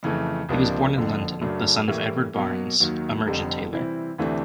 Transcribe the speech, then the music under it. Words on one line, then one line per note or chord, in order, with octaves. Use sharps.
He was born in London, the son of Edward Barnes, a merchant taylor.
F2 C#3 E3 A3
C#2 C3 F3 A#3 D4
F#1 F2 D3 F3
F#2 C#3 F#3 A3 D4
A2 E3 G3 A#3
B2 F#3 A#3
D#2 D#3 F#3
F1 F2 D3 G3
C3 E3 G3 C4 E4
D2 C3 E3 A3 D4